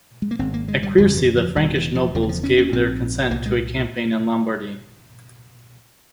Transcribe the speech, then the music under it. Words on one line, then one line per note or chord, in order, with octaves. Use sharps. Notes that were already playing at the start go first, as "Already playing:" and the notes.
At Quiercy the Frankish nobles finally gave their consent to a campaign in Lombardy.
G#3
A#3
G#1 G#2 C4
A#3
G#3
G3
G1 F2 C#3 F3
E3
F3
E1 E2 C3 G3
E3
F3
E1 E2 C#3 F3
E3
F3
C#4
C#4
A#1 G#2 C4
C2 A#2 A#3
G#3